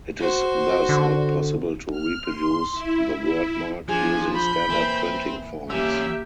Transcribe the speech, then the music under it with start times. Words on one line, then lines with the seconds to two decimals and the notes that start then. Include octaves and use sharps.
It is thus not possible to reproduce the wordmark using standard printing fonts.
0.19 F#4 C5
0.89 D3
1.90 F6
2.23 C6
2.72 E4
3.19 E4
3.89 F3 D4 G#4 G#5
4.33 B5 G6
4.70 E3 A#3 C4 B4
5.70 E2 A#3 C#4 G4 E5 E6